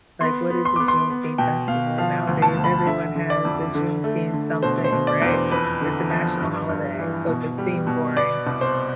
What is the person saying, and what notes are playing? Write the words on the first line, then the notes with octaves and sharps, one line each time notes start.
Like, what is a Juneteenth festival, nowadays? Everyone has a Juneteenth something, right? It's a national holiday, so it can seem boring,
B3 C6
B3
C6
B3 D6
C6
B3
B2 G5
B2 F5
F3 F5
D2
A5
D2
B5
D3 E5
D3
D5
F2
D3
A3
D3
B2 C5
C5
B2
D5
E2
C5
F2 B4
D3
F3
G2
G2
E3
B2
G3
B2
B3 D5
C2
C5